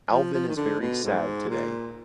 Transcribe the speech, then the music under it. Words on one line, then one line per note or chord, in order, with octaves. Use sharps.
Alvyn is very sad today.
F3
F3
D#3
D3
B2
G#2
A#2